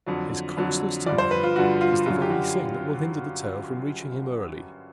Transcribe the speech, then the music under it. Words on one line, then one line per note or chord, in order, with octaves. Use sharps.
His closeness to me is the very thing that will hinder the tale from reaching him early.
F2 D3 F#3
F2 D3 F#3
G2 D3 F3 D5
C5
B4
F4
G2 D3 F3 F#4
F4
F#2 D3 F#3 F4
G4
F#4